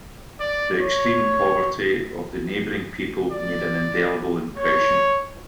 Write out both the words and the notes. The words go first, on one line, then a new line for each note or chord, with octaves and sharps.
The extreme poverty of the neighboring people made an indelible impression.
D5
C#5
D5
C#5